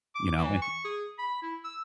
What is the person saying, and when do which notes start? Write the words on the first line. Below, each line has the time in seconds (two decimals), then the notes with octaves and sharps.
you know, an
0.15 D6
0.36 E3
0.62 C#6
0.84 G#4
1.18 B5
1.42 E4
1.64 E6